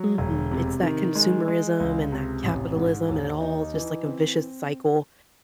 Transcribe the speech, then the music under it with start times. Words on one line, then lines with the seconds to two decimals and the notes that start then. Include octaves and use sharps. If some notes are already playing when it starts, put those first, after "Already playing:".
Mhm, it's that consumerism and that capitalism, and it all just like a vicious cycle,
Already playing: F#3
0.18 E1
0.51 C3
0.82 D#3
1.15 G#3
1.48 G#3
1.80 C#2
2.12 C3
2.44 A1
2.76 G#2
3.09 D#2
3.41 D#4
3.74 E3
4.06 C4